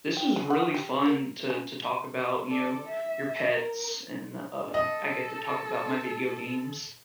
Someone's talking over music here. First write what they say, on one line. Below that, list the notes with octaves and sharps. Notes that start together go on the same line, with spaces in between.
This was really fun to to talk about, you know, your pets and, uh, I get to talk about my video games.
G5
G#3
F#5
G4
A#3
C#4
A4 D5
E5
A#4
A4 D#5